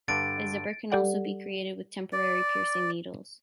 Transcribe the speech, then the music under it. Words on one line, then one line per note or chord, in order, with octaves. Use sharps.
A zipper can also be created with temporary piercing needles.
G2 D3 A6 D7
G3 G4 A4 D5 F#5
D5